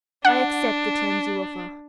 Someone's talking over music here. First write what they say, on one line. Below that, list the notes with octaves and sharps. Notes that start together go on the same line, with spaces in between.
I accept the terms you offer.
D4 F#5